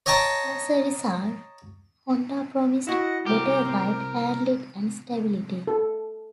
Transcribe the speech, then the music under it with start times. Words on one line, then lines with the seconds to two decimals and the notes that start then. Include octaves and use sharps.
As a result, Honda promised better ride, handling and stability.
0.06 C#5 D#5 G5 A5 A#5
2.87 E4 F#4 D#5 F#5
3.26 C2 G4 A#4
3.65 C4
5.67 A4